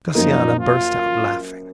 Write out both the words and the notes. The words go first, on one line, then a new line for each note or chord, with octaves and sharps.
Josiana burst out laughing.
F#2 F3 A#3 D#4
F4